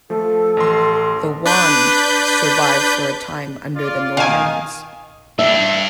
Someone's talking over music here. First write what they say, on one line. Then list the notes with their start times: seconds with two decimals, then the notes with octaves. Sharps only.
The 'wand' survived for a time under the Normans.
0.10 F3 A3 A4
0.57 A1 C6
1.45 D4 B4 G6
3.76 F4 D5
4.17 D#3 F5 G#5
5.39 G2 D4 E5